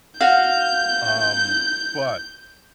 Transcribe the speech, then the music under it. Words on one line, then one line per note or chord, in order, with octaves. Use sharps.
um, but,
F#4 F5 G6